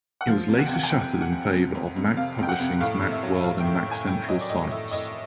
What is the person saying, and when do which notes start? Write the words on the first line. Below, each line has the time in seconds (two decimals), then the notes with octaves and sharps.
It was later shuttered in favor of Mac Publishing's Macworld and MacCentral sites.
0.21 F#5
0.27 F3 F5
0.48 C3
0.59 F#5
0.66 G5
0.69 C3 F#5
0.83 G#5
0.90 F2 G5
1.12 F2
1.22 F#5
1.32 F2
1.53 C3
1.75 F2
1.96 F2
2.17 C3 F5
2.39 F2 G5
2.49 F#5
2.60 C3
2.80 A2 F5
3.02 A2
3.12 E5
3.23 F#3
3.44 A2 F5
3.60 G5
3.65 A2
3.76 G5
3.86 A2
3.91 G#5
4.07 A2 G5
4.29 F#3 D#5
4.41 D5
4.49 A2 D#5
4.71 A2 E5
4.91 A2 D#5